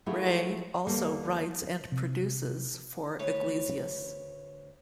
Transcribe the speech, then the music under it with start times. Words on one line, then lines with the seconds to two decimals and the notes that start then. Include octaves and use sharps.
Rey also writes and produces for Iglesias.
0.06 F#3 A3 E4 F4 G4 G#4
0.87 E2 D3 G3 A#3 A4
1.92 C3
3.19 D2 B4 C#5